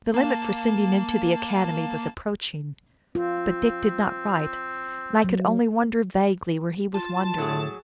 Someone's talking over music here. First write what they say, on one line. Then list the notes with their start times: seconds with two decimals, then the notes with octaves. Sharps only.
The limit for sending in to the Academy was approaching; but Dick did not write, and I could only wonder vaguely where he was wandering.
0.14 A#3 A5
3.15 C4 F4
5.24 F#3
6.94 F4 A5
7.38 A2 F#3 G#4